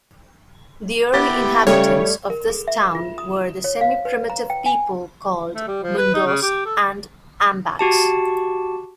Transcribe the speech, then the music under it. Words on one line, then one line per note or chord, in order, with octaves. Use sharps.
The early inhabitants of this town were the semi-primitive people called "Mundos" and "Ambaks".
B3 E4 G4 A6
C#3 G3 A3 G4 C#5
A#4
G#4
E5
F4
D#6
C#5
F5
B4
A#5
G5
G#5
A3
G3
F3
B4
D#4
C#3
G4
A4
F#4 G4 A5